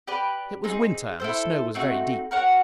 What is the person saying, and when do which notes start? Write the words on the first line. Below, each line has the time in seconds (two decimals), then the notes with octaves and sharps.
It was winter and the snow was very deep.
0.07 G4 B4 D5
0.64 C4 D#4 G#4
1.20 E4 A4 C5
1.75 A3 C4 D#4 F#4
2.31 F#4 A#4 C#5 F#5